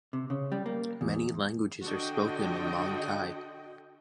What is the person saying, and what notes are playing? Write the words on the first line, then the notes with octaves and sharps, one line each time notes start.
Many languages are spoken in Mong Cai.
C3
C#3
G3
A#3
E2
D3 F#4 D#5 G5